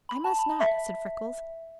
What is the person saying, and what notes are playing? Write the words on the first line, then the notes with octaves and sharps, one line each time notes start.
"I must not," said Freckles.
B5
A5
B5
E5